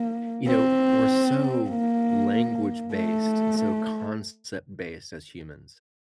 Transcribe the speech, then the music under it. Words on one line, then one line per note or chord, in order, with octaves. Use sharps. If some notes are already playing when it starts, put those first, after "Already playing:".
you know, we're so language based and so concept based as humans,
Already playing: A#3
C4
A#3
A3